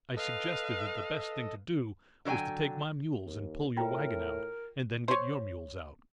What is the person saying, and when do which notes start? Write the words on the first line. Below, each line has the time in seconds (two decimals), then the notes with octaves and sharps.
I suggested that the best thing to do, was to take my mules and pull your wagon out, and then get your mules out.
0.17 A4 B4 D#5 F5
2.25 D3 F#3 C5 G5 G#5
3.24 D#2
3.77 A2 F4 A#4 G5 A#5
5.08 C5 C#5